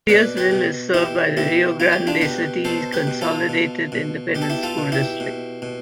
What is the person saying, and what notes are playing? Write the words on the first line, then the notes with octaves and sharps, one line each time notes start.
Garciasville is served by the Rio Grande City Consolidated Independent School District.
B2 B4 D5
G4 B4
B2
B2 E4 G4
B2 E4 G4
B2 F4
G4
D4 F4
B2 G4 B4
B2 A4 C5
G4 B4
B2
F4 A4
B2
B2
B2 G4
A4
E4 G4
F4 A4
B2
E4 G4
B2
B2